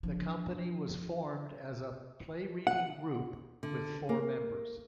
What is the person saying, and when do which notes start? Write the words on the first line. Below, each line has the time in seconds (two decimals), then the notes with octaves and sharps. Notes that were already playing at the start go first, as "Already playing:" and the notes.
The Company was formed as a 'play-reading group' with four members.
0.03 F3 D4
2.67 F#5
3.63 D3
4.09 A#3